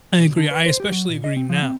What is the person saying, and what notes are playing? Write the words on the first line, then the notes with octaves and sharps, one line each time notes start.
I agree. I especially agree now.
B1
D3
B4
C5
G4
F#3
A#2
D#5
C4
F3
C4